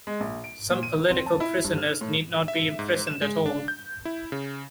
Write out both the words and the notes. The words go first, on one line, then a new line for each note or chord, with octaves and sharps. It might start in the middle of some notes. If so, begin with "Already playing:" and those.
Some political prisoners need not be imprisoned at all.
G#3
A#1
D7
A#2
D#7
C4
A5
E4
G2
F6
A2
E5
G#2
E7
G#3
D4
G6
E4
C#3